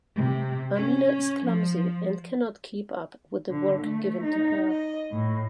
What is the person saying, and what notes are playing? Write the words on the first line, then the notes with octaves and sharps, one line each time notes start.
Amina is clumsy and cannot keep up with the work given to her.
C3
C#4
F3
D3
A3
D#4
D#5
A2